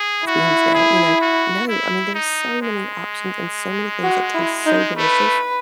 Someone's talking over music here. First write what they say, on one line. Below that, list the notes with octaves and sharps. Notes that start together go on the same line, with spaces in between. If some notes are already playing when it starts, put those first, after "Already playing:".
beans down, you know? No, I mean, there's so many options and so many things that taste so delicious.
Already playing: G#4
E4 F#4
G#4
F#4
E4
D#4
G#3
F#4
E4
D#4
A3 B4